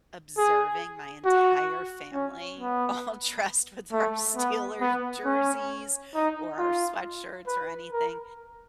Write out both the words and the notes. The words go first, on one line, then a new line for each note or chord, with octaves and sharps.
observing my entire family all dressed with our Steelers jerseys or our sweatshirts or anything
G#4
F#4
C#4
B3
A3
B3
B3
C#4
D#4
F4
B4
A#4